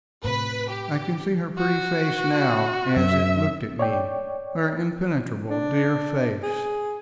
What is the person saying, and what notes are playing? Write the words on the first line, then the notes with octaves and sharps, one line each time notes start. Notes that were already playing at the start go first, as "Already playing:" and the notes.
I can see her pretty face now as it looked at me--her impenetrable dear face.
A2 C3 B4 B6
G4
F#4
F#2 E5
C#5 D5 G5
D4
G#4